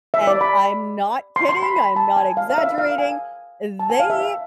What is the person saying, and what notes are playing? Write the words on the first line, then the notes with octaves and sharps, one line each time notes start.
and I'm not kidding, I'm not exaggerating, they
E5
D5
B5
C6
C6
B5
B5
A5
G#5
F5
F5
E5
F5
G#5
A5
G#5
F5
E5
E5